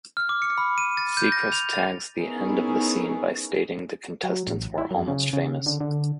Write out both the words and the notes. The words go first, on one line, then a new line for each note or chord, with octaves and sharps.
Seacrest tags the end of the scene by stating the contestants were almost famous.
F6
D6
C#7
B5
D#7
A6
G6
A#6
F7
A6
B3 C#4 D#4 E4 G#4 A#4
F#3
A1
E4
F#2
C#3
C#3
D3
D3